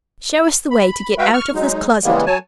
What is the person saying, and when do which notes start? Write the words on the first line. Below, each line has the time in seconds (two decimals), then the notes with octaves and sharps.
Show us the way to get out of this closet.
0.71 B5
1.18 G#3 F#4 B4 E5 F5 G5
1.33 C#6 F6
1.53 F#3 G#3 D#4
2.04 C#3 E3 G3 G#3 A#3 B3
2.26 F#3 C#5 G#5 A5